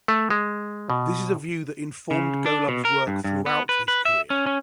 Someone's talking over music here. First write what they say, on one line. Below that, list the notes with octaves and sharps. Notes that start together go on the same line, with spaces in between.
This is a view that informed Golub's work throughout his career.
A3
G#3
B2
C#3
D4
B2
A#4
G2
G2
B3
B4
B4
E5
C#4
C#4